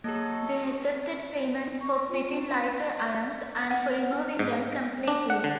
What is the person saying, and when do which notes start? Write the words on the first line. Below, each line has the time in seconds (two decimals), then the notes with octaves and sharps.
They accepted payments for fitting lighter irons and for removing them completely.
0.04 F#3 A#3 G#4 A4 D#5
0.34 C#6
1.81 C#6
2.09 C4 F4
2.38 C#4
3.71 F#5
4.39 G#2
5.08 D4
5.30 F#5
5.44 D3